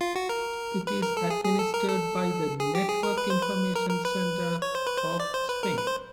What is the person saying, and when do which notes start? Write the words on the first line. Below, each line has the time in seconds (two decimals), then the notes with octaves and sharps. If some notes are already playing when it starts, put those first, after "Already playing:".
It is administered by the Network Information Centre of Spain.
0.01 F4
0.16 F#4
0.29 A#4
0.87 B4
1.02 A#4
1.17 A4
1.30 G#4
1.45 G#4
1.59 A4
1.74 A#4
1.89 A4
2.60 G#4
2.75 G4
2.89 G#4
3.03 A#4
3.18 B4
3.30 C5
3.42 B4
3.76 A#4
3.90 A#4
4.05 B4
4.62 C#5
4.75 C5
4.87 B4
4.97 C5
5.20 D5
5.34 C5
5.49 B4
5.63 A#4
5.78 B4
5.87 C5